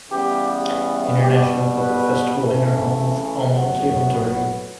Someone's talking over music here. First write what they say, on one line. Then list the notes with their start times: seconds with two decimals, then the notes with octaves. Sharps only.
International Puppet Festival in her home of Almonte, Ontario.
0.11 C#3 E3 G3 B3 G4
1.23 B2 G3 B3 G4
1.78 B4
2.34 C#3 E3 A3
3.46 A2 F#3 B3